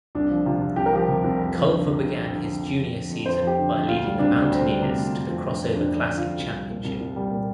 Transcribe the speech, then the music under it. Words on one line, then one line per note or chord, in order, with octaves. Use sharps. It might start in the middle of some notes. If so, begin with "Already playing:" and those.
Culver began his junior season by leading the Mountaineers to the Crossover Classic Championship.
C2 D4
F3
C3 F4
C2
C2 G4
A#4
F3 G4
C3
C2
F2
F3
D3
F2
F2
F3
D3
F2
F2
F3
D3
F2
F2 C5
F3
G4
D3
F2
D2 F4
G3
C3 D4
D2
D2 C4
G3
C3
D2
F2
F3
D3
F2
F2 D4
F3
D4
D3
F2 F4
C2
G3
A#2
C2
C2
G3
A#2